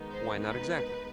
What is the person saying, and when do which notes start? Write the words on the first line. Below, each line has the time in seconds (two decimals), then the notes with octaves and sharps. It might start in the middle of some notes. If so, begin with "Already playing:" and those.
Why not exactly?
Already playing: D#3 G#3 B3 D#4
0.10 C5
0.40 B4